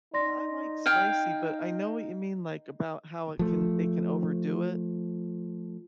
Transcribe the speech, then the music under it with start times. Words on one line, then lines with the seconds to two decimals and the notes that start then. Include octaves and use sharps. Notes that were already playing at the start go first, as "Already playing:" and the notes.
Yeah, I like spicy, but I know what you mean, like about how it can they can overdo it,
0.14 D#4 D5 C6 A#6
0.86 F5 G5 G#6
3.39 F3 A3